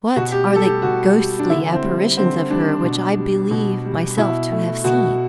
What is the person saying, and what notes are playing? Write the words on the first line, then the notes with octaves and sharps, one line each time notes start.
What are the ghostly apparitions of her which I believe myself to have seen?
B2 F#4
G4
G3
A4
G4
B2 F#4
G3
D4
D3 E4
C4
G3
D3 C4
G3 D4
B2
G3
B2
G3
B2 E4
A3
B2 F#4